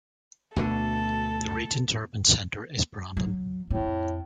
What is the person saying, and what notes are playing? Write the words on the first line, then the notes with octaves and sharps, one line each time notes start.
The region's urban centre is Brandon.
D2 B2 D3 A4
F#3
F2 A2 C4